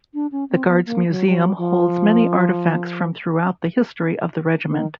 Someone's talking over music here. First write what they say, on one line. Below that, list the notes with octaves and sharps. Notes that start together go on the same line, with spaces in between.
The Guards' museum holds many artifacts from throughout the history of the regiment.
D4
C#4
C4
B3
A#3
F#3
G3
F#3
F3
D#3